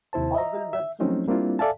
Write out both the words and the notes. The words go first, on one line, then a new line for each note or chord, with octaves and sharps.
How will that suit?
D#2 C3 E4 C5 A5
D#5 E5 A#5
E5
F3 F#3 A3 C4 C#4 D#4
G3 A#3 C4 D4 E4 F4
A4 D5 E5 F5 G#5 A5